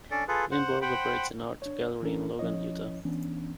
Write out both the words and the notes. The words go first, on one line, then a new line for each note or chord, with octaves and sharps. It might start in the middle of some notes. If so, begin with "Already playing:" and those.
Winborg operates an art gallery in Logan, Utah.
C#4 D4 A4 D5
F4 G#4 A4 B4
C5 F#5
C5 F#5 G5 B5
D4 C#5
E3 C#4 D4 A4 A#4
F3 C#4 E4 C#5 D#5
E3 B3 C#4 D4